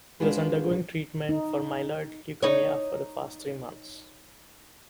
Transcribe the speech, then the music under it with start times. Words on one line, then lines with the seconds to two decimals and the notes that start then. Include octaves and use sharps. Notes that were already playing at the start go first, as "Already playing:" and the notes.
He was undergoing treatment for myeloid leukaemia for the past three months.
0.20 G#3 D4 F4 F#4 G#4 B4
1.29 D#4
2.42 D#4 C#5